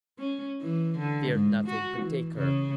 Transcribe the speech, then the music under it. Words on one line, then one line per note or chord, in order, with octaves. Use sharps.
'Fear nothing, but take her.'
C#4
E3
D3
G#2
F#4
E3
C#3